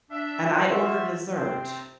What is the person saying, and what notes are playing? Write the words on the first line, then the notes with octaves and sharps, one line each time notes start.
and I order dessert
D4 E5
F4 F#4 C5 E5
C3 C4